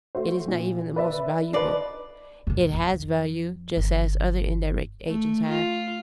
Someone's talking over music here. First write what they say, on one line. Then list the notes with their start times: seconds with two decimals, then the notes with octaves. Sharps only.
It is not even the most "valuable"; it has value just as other indirect agents have.
0.15 A3 F#4 C5
0.48 A#2
0.96 B4 D5 E5
1.53 F3 D#4 B4 D5
2.47 B1 F#2
2.74 F2
3.77 G1
5.08 A3
5.46 F4